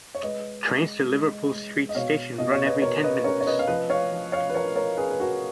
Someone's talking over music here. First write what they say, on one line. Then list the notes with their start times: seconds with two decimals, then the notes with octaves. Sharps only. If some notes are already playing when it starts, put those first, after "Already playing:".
Trains to Liverpool Street station run every ten minutes.
0.15 C#5
0.23 G#3 B4 D#5
0.66 G#3
1.10 G#3
1.52 G#3
1.89 D#5
1.95 B2 C#5 F5
2.38 B2 D#5
2.51 C#5
2.65 B4 D#5
2.82 B2 A#4 C#5
3.03 B4 D#5
3.24 C#4 A#4 C#5
3.41 C#5
3.47 B4 D#5
3.59 F5
3.68 F3 B4 D#5
3.90 C#5 F5
4.12 F3
4.32 C#5 F5
4.49 B4
4.54 F3 A#4 C#5
4.75 A#4 C#5
4.97 C#4 G#4 B4
5.11 B4
5.20 F#4 A#4